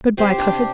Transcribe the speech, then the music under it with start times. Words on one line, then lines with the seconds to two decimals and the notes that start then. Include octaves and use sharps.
Good-bye, Clifford.
0.17 C3 G4 C5
0.38 D4 G4